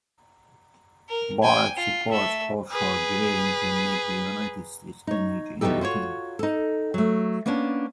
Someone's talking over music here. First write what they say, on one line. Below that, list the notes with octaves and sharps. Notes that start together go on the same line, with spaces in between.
Barrett supports offshore drilling to make the United States energy independent.
A#4
G5 G#5
F4
A3 E5
G#4 B4
D#4 C#5
E2 B2 F3 D#4 G4 A4
F4 F#4 C5 C#5
D#4 A4
F#3 A3
A#3 B3 C#4 D4 A5